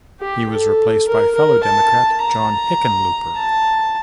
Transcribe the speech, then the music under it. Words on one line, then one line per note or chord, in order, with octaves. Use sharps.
He was replaced by fellow Democrat John Hickenlooper.
G4
A4
A#4
A#4
A5
A#5
A5